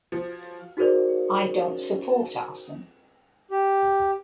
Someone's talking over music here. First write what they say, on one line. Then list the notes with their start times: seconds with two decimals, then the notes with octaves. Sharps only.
I don't support arson.
0.12 F3
0.77 D#4 F#4 G#4 A#4 C5 D5
3.51 G4